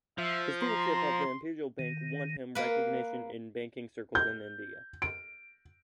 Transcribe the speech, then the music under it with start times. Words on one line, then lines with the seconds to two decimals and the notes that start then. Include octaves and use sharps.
His stewardship of the Imperial Bank won him recognition in banking circles in India.
0.18 F3 E5
0.62 A#5 C6
1.79 D#3
2.55 A#3 B4
4.15 G6
5.02 D7